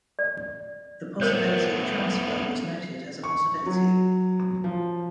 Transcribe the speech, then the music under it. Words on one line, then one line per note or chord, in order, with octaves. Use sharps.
The possibility of transfer was noted as a possibility.
D5
A3 B3 A#4 C5 C#5
C#6
F#3
F3